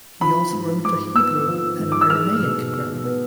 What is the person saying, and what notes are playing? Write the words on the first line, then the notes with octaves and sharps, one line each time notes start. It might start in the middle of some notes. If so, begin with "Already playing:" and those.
He also wrote a Hebrew and an Aramaic grammar.
F3 B5
G#2
G#2 D6
B3 E6
F3
G#2
D6
E6
G#3 F6
B2
B2
B3